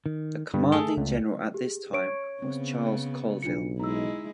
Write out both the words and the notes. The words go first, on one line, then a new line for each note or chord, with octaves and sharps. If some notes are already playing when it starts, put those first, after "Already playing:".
The commanding general at this time was Charles Colville.
D#3
G2 D3
A3 G#4 A4
C#2
G4 G#4
C#5 C#6 D7
C#3 B3 C4
B1 D4 F4 C#7
G#3 D#4 E4 A#5 E6